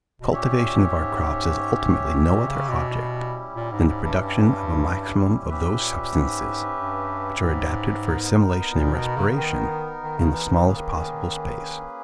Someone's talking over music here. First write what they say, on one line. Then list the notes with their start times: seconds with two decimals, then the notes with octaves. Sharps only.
The cultivation of our crops has ultimately no other object than the production of a maximum of those substances which are adapted for assimilation and respiration, in the smallest possible space.
0.20 B2
0.32 A#2 C#4 G4 C#5 E5
0.97 G#2
2.26 A#2
2.48 C#3
2.69 B2
2.90 G3 C#4 E4 G4
3.56 A#2
3.72 G#2
3.88 G#2
4.04 G2
4.20 G2
5.49 G#2 C#4 G4 B4 E5
5.81 A#2
6.14 G#2
6.79 G2
7.43 G#2
8.08 B3 D#4 A#4
8.73 A#2
8.94 B2
9.16 C#3
9.28 C#3
9.37 D#3
10.02 D#3
10.18 C#3
10.34 E3
10.50 E3
10.60 D#3
10.66 C#3 A#3 C#4 G#4 B4
10.76 D#3